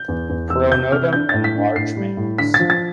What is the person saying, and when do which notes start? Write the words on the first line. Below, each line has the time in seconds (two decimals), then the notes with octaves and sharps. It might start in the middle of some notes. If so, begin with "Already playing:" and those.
Pronotum in large males.
Already playing: G6
0.08 E2
0.29 E2
0.50 E2 E6
0.71 C3 G6
0.92 C3 F6
1.13 D4 G6
1.29 A2 A6
1.44 B6
1.55 D4
1.76 A2 C7
1.97 G3
2.17 A2
2.38 D3 B6
2.54 A6
2.59 F3
2.70 A6